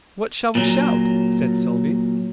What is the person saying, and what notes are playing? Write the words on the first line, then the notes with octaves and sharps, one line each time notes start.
"What shall we shout?" said Sylvie.
A#2 F#3